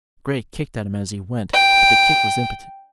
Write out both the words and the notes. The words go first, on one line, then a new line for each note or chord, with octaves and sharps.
Grey kicked at him as he went, but the kick was impotent.
G5